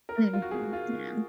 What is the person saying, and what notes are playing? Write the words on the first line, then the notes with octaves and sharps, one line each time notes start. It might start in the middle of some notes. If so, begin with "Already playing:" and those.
Mhm, yeah.
A#4
F4
F#4
G#4
F4